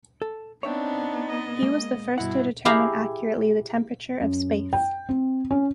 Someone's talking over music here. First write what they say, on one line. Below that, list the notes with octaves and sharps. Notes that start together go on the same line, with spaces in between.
He was the first to determine accurately the temperature of space.
A4
B3 C4 D4 D#4 C#5 E5 G5
D#5
G#3 A#3
G2 B2 E4 F#5
E4 G4 G#4 E5 F5 A#5
F#2
G5
C4
C#4